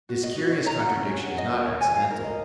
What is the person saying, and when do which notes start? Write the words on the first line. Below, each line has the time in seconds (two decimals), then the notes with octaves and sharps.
This curious contradiction is not accidental.
0.09 F#4
0.23 D#5
0.37 F#4
0.51 C#5
0.66 A#5
0.80 F#5
0.95 C#4
1.09 G#4
1.24 F#5
1.38 D#5
1.52 A#4
1.67 C#5
1.81 G#5
1.96 F5
2.11 A#4
2.24 D#5